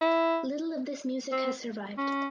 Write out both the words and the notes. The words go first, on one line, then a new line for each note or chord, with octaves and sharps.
Little of this music has survived.
E4
C4
C#4